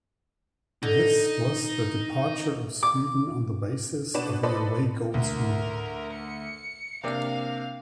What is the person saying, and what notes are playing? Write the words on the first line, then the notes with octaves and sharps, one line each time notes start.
This was the departure of Sweden on the basis of the away goals rule.
D3 D#4
D6
B2 D4 F#4 B4 D5 E7
A4 B4 C5 D5 D#5 B5
D2 A#4
C#7
C3 A#3 D4 F5